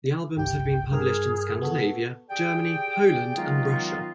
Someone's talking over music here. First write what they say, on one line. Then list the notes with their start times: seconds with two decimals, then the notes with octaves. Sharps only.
The albums have been published in Scandinavia, Germany, Poland and Russia.
0.37 G1 C2 G4 G5
0.91 G2 G#4 A#4 F6
1.61 B3 F#4 A4
2.30 G4 G#4 D5 G5
3.37 D#3 F#3 G#3 B3 D#4 F4